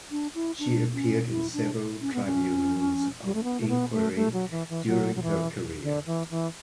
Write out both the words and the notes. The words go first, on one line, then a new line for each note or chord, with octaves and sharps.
She appeared in several tribunals of inquiry during her career.
D4
E4
D4
C#4
E4
D4
C#4
B3
C#4
G3
A3
B3
A3
B3
A3
A3
F#3
E3
E3
F#3
F#3
E3
D3
E3
E3